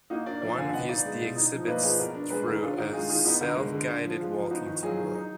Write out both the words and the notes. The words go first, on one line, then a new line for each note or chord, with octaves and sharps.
One views the exhibits through a self-guided walking tour.
A#3 D#4 F#4
D4 A#4 D5
F3 A#4 D5
D3 F5 G#5
B3 D#5 F#5
D#4 D5 F5
G#3
B2
D#4
F3
D5
A#3 B4 D#5
F3 G#4 B4
B3 F#4 A#4
D4
G#3 G#4 B4
D#3 F#4 A#4
D4 F4 G#4
D#3 D#4 F#4
G#3 F4 G#4
D#3 F4 G#4
B3 D#4 F#4
D3 F#4 A#4
G#3
D3
D4
F3
G#3 F4
F3
B3 D#4 F#4
D#3
F#3 F4 G#4
D#3
D#4